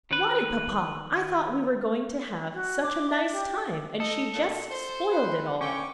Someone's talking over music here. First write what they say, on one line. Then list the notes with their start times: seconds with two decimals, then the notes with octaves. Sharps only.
"Why, papa, I thought we were going to have such a nice time, and she just spoiled it all."
0.11 D#3 B4
2.54 F#4
2.83 D6
3.10 E5
3.33 G4
4.00 D#4 A4 D#5
4.34 A#2
4.71 C5
5.11 B4
5.61 A#2 D3 C#4 G5 C#6 D6